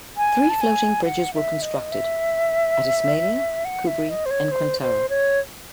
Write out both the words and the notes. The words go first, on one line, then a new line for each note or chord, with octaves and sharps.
Three floating bridges were constructed, at Ismailia, Kubri and Qantara.
G#5
A5
G#5
F#5
E5
D#5
E5
F#5
E5
D#5
C5
C#5
C5
C5
C#5